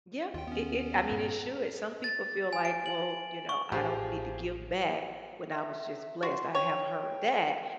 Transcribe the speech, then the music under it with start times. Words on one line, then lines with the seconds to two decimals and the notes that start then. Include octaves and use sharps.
Yep. It it I mean, it should, some people feel like, "Well, you know, I don't need to give back, when I was just blessed," I have heard that,
0.34 D#2 F4 G5
0.47 B3 C#4
1.12 G2 A#2 G#3
2.04 A6
2.53 G#5
2.65 D7
2.86 F#7
3.49 C#6
3.72 A1 F3 G4 G#4 C7
5.54 E5
6.23 F#4 C6
6.55 C#5 G5